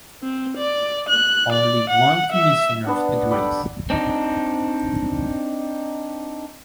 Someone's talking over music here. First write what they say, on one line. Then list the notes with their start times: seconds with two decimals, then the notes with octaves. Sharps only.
Only one commissioner agrees.
0.23 C4
0.57 D5
1.09 F#6
1.52 D5
1.90 F#5
2.32 E5
2.84 B3 D4 F#5
3.30 G4 A4 D5 B5
3.90 C4 D4 D#4